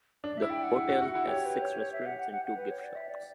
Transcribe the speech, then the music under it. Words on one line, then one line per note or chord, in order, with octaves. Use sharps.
The hotel has six restaurants and two gift shops.
D4 D5
E4 E5
G5
F#5
E4
F#4
F#4
E4
G4 C#5
B4
C#5
C#5
E5
F#5
F#5
F#5
F#5
B4
C#5
D5
E5
D5